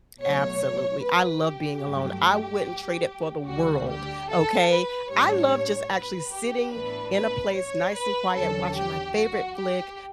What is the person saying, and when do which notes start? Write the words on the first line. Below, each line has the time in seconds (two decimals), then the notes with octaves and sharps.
Absolutely. I love being alone. I wouldn't trade it for the world, okay? I love just actually sitting in a place nice and quiet, watching my favorite flick,
0.21 B2 F#3 A3 C#5
1.03 B4
1.44 G4
1.84 G2 F#3 A3
3.46 D2 D3 G3 F#4
3.88 G4
4.29 A4
4.68 B4
5.10 A2 G3 D4 C#5
5.91 B4
6.31 G4
6.72 A2 E3 B3 D4 B4
7.12 B4
7.54 C#5
7.95 B4
8.35 E2 D3 F#3 C#4 A4
8.75 G4
9.16 F#4
9.56 G4